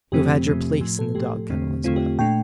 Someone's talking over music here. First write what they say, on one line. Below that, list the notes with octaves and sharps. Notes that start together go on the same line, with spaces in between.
You have had your place in the dog-kennel as well.
F2 C3 F3 A3 C4 G4
F2 C3 F3 A3 C4
A2 F3 A3
A4
A2 F3 A3 G4
E2 D3 A3 C4
E2 D3 A3 C4 F4
G4
A#2 A3 D4 G5